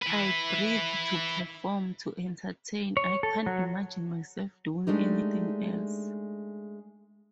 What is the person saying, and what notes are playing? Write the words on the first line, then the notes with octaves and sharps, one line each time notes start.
I breathe to perform, to entertain, I can't imagine myself doing anything else.
E4 B4
C#5
A4
F#3
G#3 A3 D4 D#4 G4